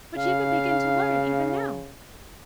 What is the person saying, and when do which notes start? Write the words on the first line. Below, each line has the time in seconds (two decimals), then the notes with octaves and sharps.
"But you could begin to learn even now!"
0.16 C#3 F5